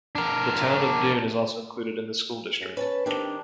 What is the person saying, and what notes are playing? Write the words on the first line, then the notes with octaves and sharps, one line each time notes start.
The town of Doon is also included in this school district.
D4 A#4
F#2
C#4 B4 G#5 A5
D#3 C4 D4 G4